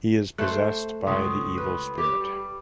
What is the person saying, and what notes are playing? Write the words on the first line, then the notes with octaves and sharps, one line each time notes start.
He is possessed by the evil spirit.
A3 C5 F#6
C#2 C6 C#6 D#6
B4
G4 D6
G3